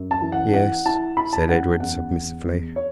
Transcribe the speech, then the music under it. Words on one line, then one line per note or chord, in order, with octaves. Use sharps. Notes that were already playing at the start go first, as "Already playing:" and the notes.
"Yes," said Edred submissively.
Already playing: F#2
A5
E3
F#5
E3 F#5
E4 A5
E4 B5
A5
F#2 F#5
E2 F#5
E2
E2
C#5